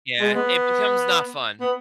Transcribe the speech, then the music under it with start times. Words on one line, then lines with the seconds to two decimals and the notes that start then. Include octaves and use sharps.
Yeah. It becomes not fun.
0.20 G#3
0.34 B3
1.61 B3